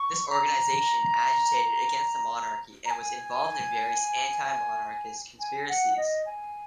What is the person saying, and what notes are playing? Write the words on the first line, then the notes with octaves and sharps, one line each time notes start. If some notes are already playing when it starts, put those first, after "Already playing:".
This organization agitated against the monarchy and was involved in various anti-monarchist conspiracies.
Already playing: C#6
A#5
A#5
G#5
G#5
F#5
D#5
G#5